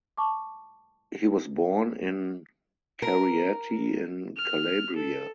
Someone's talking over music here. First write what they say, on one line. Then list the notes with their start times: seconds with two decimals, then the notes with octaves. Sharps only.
He was born in Cariati in Calabria.
0.17 A5 C#6 D6
3.02 A#4
4.37 F6
4.96 A4